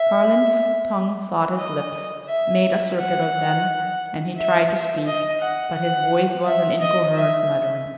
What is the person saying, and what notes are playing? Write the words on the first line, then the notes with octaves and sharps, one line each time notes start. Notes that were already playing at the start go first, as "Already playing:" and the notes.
Carling's tongue sought his lips, made a circuit of them--and he tried to speak, but his voice was an incoherent muttering.
Already playing: E5
D#5
E5
F#5
E5
D#5
F#5
F#5
E5
D#5
E5